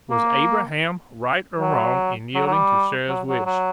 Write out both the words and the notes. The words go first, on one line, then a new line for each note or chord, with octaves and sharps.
Was Abraham right or wrong in yielding to Sarah's wish?
A#3
F#3
F#3
F#3
G3
F#3
F#3
F#3